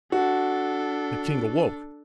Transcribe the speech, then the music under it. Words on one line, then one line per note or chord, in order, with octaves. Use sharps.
The king awoke.
D4 F#4 A4